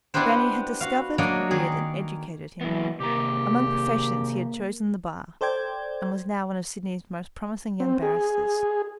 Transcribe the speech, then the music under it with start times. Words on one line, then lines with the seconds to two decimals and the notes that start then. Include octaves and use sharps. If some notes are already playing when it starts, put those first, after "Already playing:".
Grannie had discovered, reared, and educated him. Among professions he had chosen the bar, and was now one of Sydney's most promising young barristers.
0.14 B3 D4 E4 G4 B4 C5
0.81 F#4 F5
1.18 F#3 A#3 D4 A#4 D#5
1.51 D#3 G#4
2.61 E3 F#3 A#3 B3
3.00 C3 D#3 A#3 G4 A#5
5.41 A4 C5 D5 G5 G#6
7.80 C4
8.02 G#4